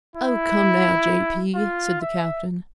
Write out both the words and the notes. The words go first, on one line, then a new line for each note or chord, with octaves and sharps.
"Oh, come now, J. P.," said the captain.
E4
F4
E5